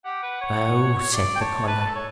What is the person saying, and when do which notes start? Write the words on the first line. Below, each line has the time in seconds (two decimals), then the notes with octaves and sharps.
"Oh!" said the collar.
0.05 G4 F#5
0.23 B4
0.41 C#5
1.13 D5
1.36 G5
1.41 C#5 A5
1.68 B4 A5
1.81 A5
1.86 A4
1.95 C#5